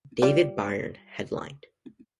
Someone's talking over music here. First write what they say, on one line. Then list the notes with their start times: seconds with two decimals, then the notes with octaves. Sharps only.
David Byrne headlined.
0.22 G3 F4 D5